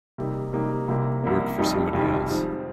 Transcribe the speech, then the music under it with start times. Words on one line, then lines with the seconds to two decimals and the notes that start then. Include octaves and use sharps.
Work for somebody else.
0.18 C3 G3 A#3 D#4
0.53 C3 G3 A#3 D#4
0.88 C2 C3 G3 A#3
1.24 C2 C3 G3 A#3
1.58 F1 F2 D#3 G3
1.93 F1 F2 D#3 G3
2.28 G#2 F3 C4